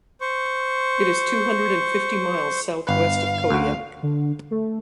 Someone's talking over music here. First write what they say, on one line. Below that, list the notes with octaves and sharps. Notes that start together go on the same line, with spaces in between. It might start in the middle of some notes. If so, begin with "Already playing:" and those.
It is two hundred and fifty miles southwest of Kodiak.
C5 C#6
G1 B4 F5
D2 F#4
D3
A3